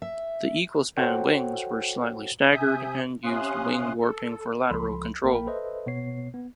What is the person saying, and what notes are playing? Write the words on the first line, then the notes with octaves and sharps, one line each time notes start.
The equal-span wings were slightly staggered and used wing warping for lateral control.
E5
F#4 A4 C5 C#5 F#5 G5
C3 E5 G#5 D#6 G6
C3 C#4 F5 C6 D#6 F#6
A4
C#2 F3 A4 B5 C6
A#1 A#3 A#4 G5 B5
A4 B4 C5 D#5 E5
B2 B3 C#5 C7
B3